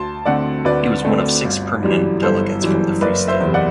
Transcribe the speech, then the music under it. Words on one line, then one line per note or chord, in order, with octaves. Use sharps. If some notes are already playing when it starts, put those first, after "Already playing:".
He was one of six permanent delegates from the Free State.
Already playing: D2 A5 C6
D3 A3 C4 D5 F#5
D2 B4 D5
D3 A3 C4
G1
F#2 E3 G3
G1 A4 C5
F#2 E3 G3
F#1 B4 D5
C5 E5
E2 C3
D5 F#5